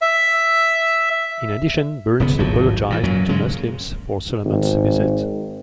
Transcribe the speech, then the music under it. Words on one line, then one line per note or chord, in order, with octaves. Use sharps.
In addition, Burns apologized to Muslims for Solomon's visit.
E5
E1 C#3 B3
D1 G#1 F3 F#3
A#2 E3
F#2 A#2 F#3
F#2 C#3 G#3
G#1